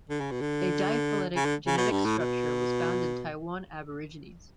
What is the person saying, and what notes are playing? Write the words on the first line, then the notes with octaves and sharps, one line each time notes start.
A diphyletic genetic structure was found in Taiwan Aborigines.
D3
C#3
B2
D3
C#3
D3
C#3
B2
G2
A2
B2